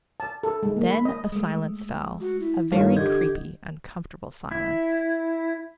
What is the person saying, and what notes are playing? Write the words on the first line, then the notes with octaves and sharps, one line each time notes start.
Then a silence fell . . . a very creepy, uncomfortable silence.
A5
A4
G#3
A#3
B5
D#5
G#3 A3
F#4
E4
G2 D#3 F4 A4 C#5 F5
D3 G4 D#5 G6 G#6
E4